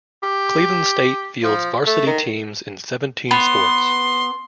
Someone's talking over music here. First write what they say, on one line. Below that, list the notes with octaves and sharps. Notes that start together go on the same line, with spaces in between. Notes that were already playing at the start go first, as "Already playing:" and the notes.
Cleveland State fields varsity teams in seventeen sports.
G4
F3
A3
D#3
B3 C6